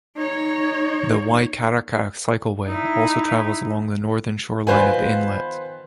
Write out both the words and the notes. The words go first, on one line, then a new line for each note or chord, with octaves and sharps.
The Waikaraka Cycleway also travels along the northern shoreline of the inlet.
D#4 C#5
D#4 E4
D#3 B3 F4 B4 C5 G#5